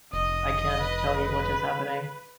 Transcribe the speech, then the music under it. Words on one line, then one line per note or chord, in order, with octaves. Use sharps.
I can’t tell you what is happening.
F1 D#5 D#6
B4